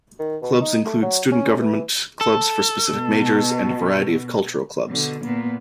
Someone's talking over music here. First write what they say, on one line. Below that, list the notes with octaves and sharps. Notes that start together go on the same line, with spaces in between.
Clubs include student government, clubs for specific majors, and a variety of cultural clubs.
D#3
B2
D#4
A3
F#3
C#4
E3
A4
B2
B2 D3
A#2 B3